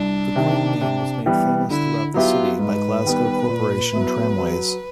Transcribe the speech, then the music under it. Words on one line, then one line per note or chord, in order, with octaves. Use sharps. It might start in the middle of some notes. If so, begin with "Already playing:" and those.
The quaint name was made famous throughout the city by Glasgow Corporation Tramways.
Already playing: C2 D4
C3 D#3
C3
E3 G3 B3
D3 E4
F#3 B3 E4 F4 G4
G#2 B4
D#3 G3 B3
A#2
F#3 B3 E4
F#3